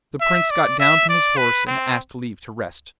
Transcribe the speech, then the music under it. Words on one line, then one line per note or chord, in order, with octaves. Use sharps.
The Prince got down from his horse and asked leave to rest.
E5
D5
E5
D5
B4
C4